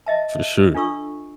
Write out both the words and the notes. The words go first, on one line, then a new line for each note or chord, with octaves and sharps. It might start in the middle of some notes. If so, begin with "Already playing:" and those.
For sure.
D#5 E5 A5
D4 F4 A4 C#6 E6